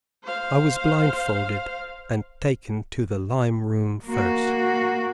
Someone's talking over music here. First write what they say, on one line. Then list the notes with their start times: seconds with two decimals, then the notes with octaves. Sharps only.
I was blindfolded, and taken to the lime room first.
0.24 C5 F5
4.06 A#3 F#4